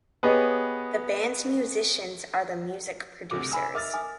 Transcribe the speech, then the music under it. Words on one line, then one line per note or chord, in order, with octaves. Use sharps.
The band’s musicians are the music producers.
B3 G4 G#4 B4 C#5 D#5
F#1 D2 C3 A4 D6
A#4 G#5 B5 E6
D#4 A#4 D#5 E5 D6 F6 A6
G#5 D#6